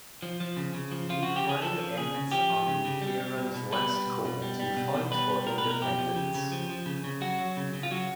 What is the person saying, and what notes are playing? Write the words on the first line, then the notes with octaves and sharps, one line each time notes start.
The play ends on the hero's last call to fight for independence.
F3
F3
C#3
C#3
F3
F3 F4
C#3 F#4
G4
C#3 G#4
F3 A4
F3
C#3 G#4
C#3
F3 G4
F3
C#3
C#3
G3
G3
B2
B2
G3 B4
G3
B2
B2
G3
G3
B2
B2
G3 B4
G3
B2 A#4
B4
B2
A#4
F3 G4
F3
C#3
C#3
F3
F3
C#3
C#3
F#3 F#4
F#3
C#3
C#3
F4
F#3 F#4